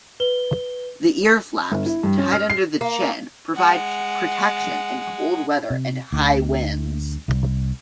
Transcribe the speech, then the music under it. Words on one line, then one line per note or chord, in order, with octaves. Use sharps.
The earflaps, tied under the chin, provide protection in cold weather and high winds.
B4 G7
G1
E4
G2
C#4
F6
C7
A#3
G#3 F#5
C3
D2
C2